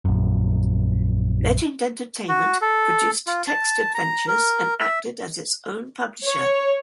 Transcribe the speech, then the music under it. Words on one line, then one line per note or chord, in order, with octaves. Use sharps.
Legend Entertainment produced text adventures and acted as its own publisher.
A#1 F#2
F#4
A4
F4
A5
A#5
A#4
E5
C#5